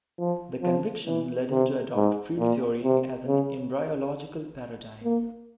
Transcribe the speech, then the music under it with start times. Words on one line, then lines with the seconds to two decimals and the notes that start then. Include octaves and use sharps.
This conviction led him to adopt field theory as an embryological paradigm.
0.19 F3
0.62 F3
1.06 E3
1.51 C3
1.95 G#2
2.39 A#2
2.84 C3
3.27 C#3
5.04 A#3